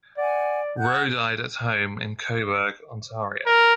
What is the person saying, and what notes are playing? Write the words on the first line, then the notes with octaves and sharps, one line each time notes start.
Rowe died at home in Cobourg, Ontario.
D5 F#5 G#5
F#5 F#6 G6
A#4